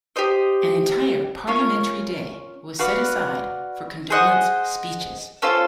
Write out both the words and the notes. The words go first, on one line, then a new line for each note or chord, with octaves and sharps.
An entire parliamentary day was set aside for condolence speeches.
G4 C5 D#5
C#4 F4 A#4 C#5
F#4 B4 D5 F5
G#4 C5 D#5 F#5
C#4 F4 A4 C5